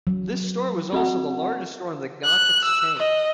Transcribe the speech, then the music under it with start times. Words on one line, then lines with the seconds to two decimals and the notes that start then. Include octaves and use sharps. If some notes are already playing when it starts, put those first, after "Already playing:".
This store was also the largest store in the Gottschalks chain.
0.07 F#3
0.93 C4 F#4 F#5
2.24 F#6
2.65 E6
2.97 D#5